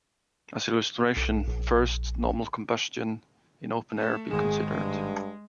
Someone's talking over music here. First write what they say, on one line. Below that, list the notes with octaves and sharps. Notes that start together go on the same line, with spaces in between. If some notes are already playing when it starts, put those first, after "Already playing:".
As illustration, first, normal combustion in open air be considered.
B1
A#1
A3
G#1 D#3 G#3 G#4 E7
G2